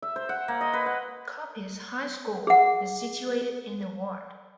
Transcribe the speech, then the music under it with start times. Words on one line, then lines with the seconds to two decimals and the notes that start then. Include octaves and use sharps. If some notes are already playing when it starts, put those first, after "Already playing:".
Coppice High School is situated in the ward.
0.02 E5
0.16 C5
0.29 F#5
0.48 A#3
0.61 D#5
0.73 B4
0.86 F#5
2.47 G#4 F#5